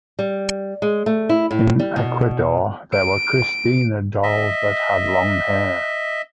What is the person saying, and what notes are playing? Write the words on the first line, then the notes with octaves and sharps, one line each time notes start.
In Ecuador, there were Christina Dolls that had long hair.
G3
G#3
A3
E4
A2
G3
B2
D7
D#5 E5